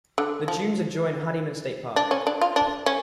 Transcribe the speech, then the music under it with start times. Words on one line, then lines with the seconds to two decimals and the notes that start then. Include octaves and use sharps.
The dunes adjoin Honeyman State Park.
0.18 D3
0.48 F3
1.96 D4
2.11 C#4
2.27 D4
2.41 F4
2.56 D4
2.86 C#4